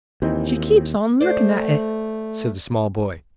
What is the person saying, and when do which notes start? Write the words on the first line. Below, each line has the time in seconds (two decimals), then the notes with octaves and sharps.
"She keeps on looking at it," said the small boy.
0.22 D#2 E3 C4 D#4
1.20 A3 C5 D5